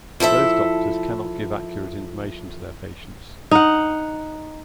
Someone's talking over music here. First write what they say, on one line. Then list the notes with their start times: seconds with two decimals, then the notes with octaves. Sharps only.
Those doctors cannot give accurate information to their patients.
0.20 F3 E4 A4 E5
3.51 D#4 F#5